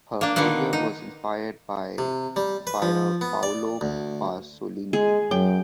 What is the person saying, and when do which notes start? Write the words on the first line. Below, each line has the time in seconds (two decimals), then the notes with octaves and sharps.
Her career was inspired by Pier Paolo Pasolini.
0.21 A#3 D4
0.36 D3 D#3 G#3 A#3 B3
0.73 D#4
1.98 C3
2.36 G3
2.67 B4
2.82 F3
3.21 B3
3.43 D5
3.81 D2
4.93 G#3 G#4
5.31 F#2 F#3 G5